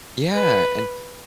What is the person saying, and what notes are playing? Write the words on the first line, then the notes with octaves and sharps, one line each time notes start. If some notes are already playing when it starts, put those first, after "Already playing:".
Yeah, and
B4